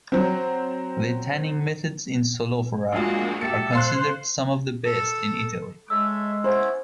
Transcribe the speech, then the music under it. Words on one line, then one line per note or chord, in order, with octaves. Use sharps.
The tanning methods in Solofra are considered some of the best in Italy.
F#3 C4
A#1 G#3 A#3 F4 F#4 G#4
G4 A4 E5 C#7
C5 F5 C6 F#6
A4
G#3 A4 C#5 E5 E6
B3 C#4 E4 C5